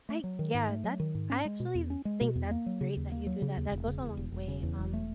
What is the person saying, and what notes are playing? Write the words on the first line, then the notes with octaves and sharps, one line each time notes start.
I yeah. That I actually think that's great that you do that, that goes a long way. Um,
A3
F#3
D#3
G#2
A3
F#3
D#3
G#2
C#4
G#3
B2
E2
C#4
G#3
B2
E2
A#3
F#3
C#3
D#2
A#3
F#3
C#3
D#2
E1
C#3
E2
E1
E1
C#3
E2
E1
A3